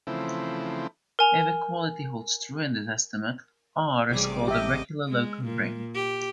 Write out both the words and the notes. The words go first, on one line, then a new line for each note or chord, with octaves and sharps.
If equality holds true in this estimate, "R" is called a regular local ring.
C#3 E3 F3 A3 C4 E4
A#4 G#5 F7
A1 C3 G3 G#4 D6
G4 D#5 E5
G#3
A#2
G4